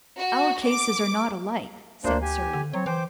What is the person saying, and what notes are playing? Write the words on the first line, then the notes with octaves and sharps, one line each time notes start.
"Our cases are not alike," said Surrey.
F#4
D6
D2 A#3 D4 C5
G4 G#5
D3
F#3 C4 C#5
E3 C5 G5 D6